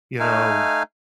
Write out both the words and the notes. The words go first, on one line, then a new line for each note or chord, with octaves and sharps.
you know,
A3 D#4 F5 G#5